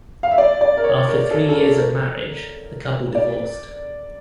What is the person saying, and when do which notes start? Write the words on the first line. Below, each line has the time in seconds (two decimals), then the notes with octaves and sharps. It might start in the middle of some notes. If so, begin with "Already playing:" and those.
After three years of marriage, the couple divorced.
0.23 F5
0.31 E5
0.38 D5
0.61 D5
0.77 A#4
0.84 C#5
1.08 A#4
1.31 A4
1.49 A4
1.53 A#4
1.77 A#4
3.15 D5